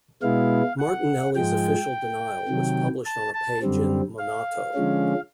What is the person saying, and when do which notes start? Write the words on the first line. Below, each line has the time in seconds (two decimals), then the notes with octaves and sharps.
Martinelli's official denial was published on a page in "Monato".
0.22 B2 G#3 B3 E4 F5
0.79 F#5
1.36 G#2 F3 G#3 G5
2.49 C3 D#3 F#3
3.05 A5
3.34 A5
3.62 F#2 D3 G3 C4
4.19 F5
4.74 D3 F3 G#3 C#4